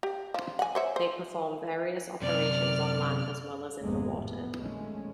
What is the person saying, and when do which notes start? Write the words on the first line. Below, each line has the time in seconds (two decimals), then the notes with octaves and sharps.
They perform various operations on land as well as in the water.
0.03 G4
0.34 F3
0.59 F#5 G#5
0.75 C5 C#5 E5
0.96 C5
2.22 F#2 C3 D5 F6
3.80 G#1 F2 C3 G#3 A#3 B3
4.15 A2 G3 B3
4.56 A#1 D#2 G#3 A3 C#4